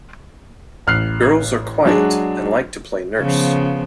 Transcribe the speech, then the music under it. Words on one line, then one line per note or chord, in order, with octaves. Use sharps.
Girls are quiet, and like to play nurse.
A1 F6 F#6 C7
F#3 G#3 D4 F#4 G#4
C#3 F3 B3